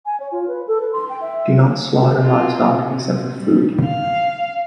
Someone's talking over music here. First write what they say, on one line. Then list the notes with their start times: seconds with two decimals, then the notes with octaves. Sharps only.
Do not slaughter livestock except for food.
0.06 G#5
0.20 C#5
0.32 F4
0.48 B4
0.68 A4
0.81 B4
0.93 C6
1.09 G5
1.21 E5
2.19 C4 F4
2.62 C3
3.36 G3
3.85 F5